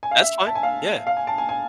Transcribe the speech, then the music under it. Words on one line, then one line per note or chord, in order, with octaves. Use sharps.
That's fine. Yeah.
G#5
F5
E5
A5
G#5
F5
F5
G#5
A5
G#5
G#5